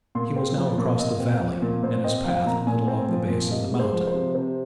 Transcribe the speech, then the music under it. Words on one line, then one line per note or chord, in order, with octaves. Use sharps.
He was now across the valley and his path led along the base of the mountain.
A#2 C6
C4
F3
A#2
A#2 D#5
C4
F3
A#2
A#2 C5
C4 D#5
F3 F5
A#2 A#5
A#2 G#5
C4
F3
A#2
C3 D#5
G#3
C5
F3
C5
C3
C3 C5